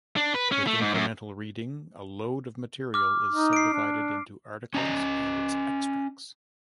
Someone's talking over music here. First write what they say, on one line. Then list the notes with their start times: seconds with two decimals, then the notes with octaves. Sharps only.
With incremental reading, a load of material is subdivided into articles and its extracts.
0.16 D4
0.34 B4
0.52 C#4
0.67 A3
0.81 G#2
0.94 F#2
2.94 D6 F6
3.30 D#4
3.53 C7 D7
3.73 D4
4.74 C#4 D#5 G#5 A#5